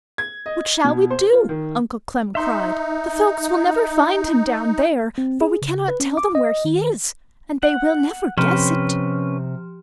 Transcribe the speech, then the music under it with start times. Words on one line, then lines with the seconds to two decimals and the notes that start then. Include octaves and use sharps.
"What shall we do?" Uncle Clem cried, "The folks will never find him down there, for we can not tell them where he is, and they will never guess it!"
0.18 G#6
0.46 D#5
0.84 B2
1.10 C5
1.33 F4
1.49 D#3
2.35 D#4 E5 C6
5.18 C4
5.41 G#4
5.62 C#3
5.88 B4
6.00 C#4
6.17 D6
6.35 D#5
6.65 D#3
7.63 F#5
8.38 C3 F3 C#4 B4